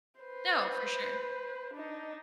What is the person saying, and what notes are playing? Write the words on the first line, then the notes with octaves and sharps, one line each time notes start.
No, for sure.
B4 C5
D4 D#4